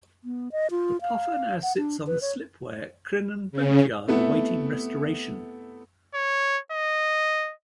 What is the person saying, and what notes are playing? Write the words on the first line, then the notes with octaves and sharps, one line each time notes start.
The puffer now sits on the slip way at Crinan boatyard awaiting restoration.
B3
D#5
F4
F5
F#5
D4
B4
C#5
C#3
C3 A3 B3 E4
C#5
D#5